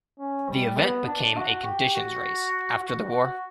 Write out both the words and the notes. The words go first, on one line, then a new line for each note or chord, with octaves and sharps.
The event became a conditions race after the war.
C#4
G3
B3
D4
F#4
G4
F#4
F#4
F#4